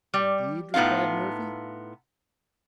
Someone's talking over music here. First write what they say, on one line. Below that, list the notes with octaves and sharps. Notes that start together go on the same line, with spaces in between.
"Indeed!" replied Murphy.
G3
A2 B3 D#4 F4 F5